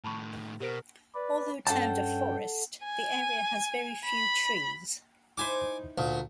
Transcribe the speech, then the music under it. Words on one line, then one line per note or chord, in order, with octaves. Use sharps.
Although termed a "forest" the area has very few trees.
A2 D#3 A5 B5 C#6
B2 G4 A#4 C5 D7
B4 D5
G2 C#4 A4 F#5 G5 A5
G#5
B5
D#4 E4 C5 G#5 D6
D2 A#2